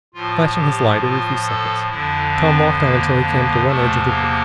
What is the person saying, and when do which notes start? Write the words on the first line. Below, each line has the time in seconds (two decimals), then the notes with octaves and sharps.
Flashing his light every few seconds, Tom walked on until he came to one edge of the roof.
0.14 A2 F3 F4
0.58 G4
1.02 F4
1.46 A4
1.90 F2 D3 F3 E4
2.34 C4
2.77 A#3
3.21 A#3
3.65 E2 C3 F3 A3
4.08 A#3